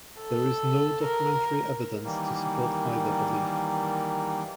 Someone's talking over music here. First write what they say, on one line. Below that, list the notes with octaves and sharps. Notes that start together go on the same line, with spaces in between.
There is no documentary evidence to support either belief.
A4
A#4
D#3 E3 G3 A#3